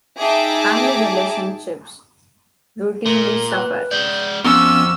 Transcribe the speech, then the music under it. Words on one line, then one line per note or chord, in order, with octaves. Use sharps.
Family relationships routinely suffer.
D#4 G#4 E5 G5 A5 D6
A#2 A#4
B4 F#6
G#3 D5 G6
F2 B3 C#4 C#6 D6 E6 F6